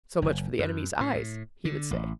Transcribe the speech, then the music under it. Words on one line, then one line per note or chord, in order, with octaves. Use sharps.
So much for the enemy's eyes, he would say.
F#1
F#2
A2
D3
A1